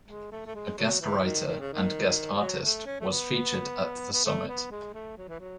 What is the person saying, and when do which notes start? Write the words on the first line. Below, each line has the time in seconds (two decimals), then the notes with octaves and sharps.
A guest writer and guest artist was featured at the summit.
0.08 G#3
0.32 A3
0.47 A3
0.55 G#3
0.78 F#3
1.01 E3
1.24 D#3
1.47 D#3
1.60 C#3
1.72 D#3
2.40 F#3
2.63 A3
2.86 C#4
3.00 A3
3.09 B3
4.13 B3
4.25 A3
4.48 B3
4.71 G#3
4.94 A3
5.17 F#3
5.29 E3
5.40 F#3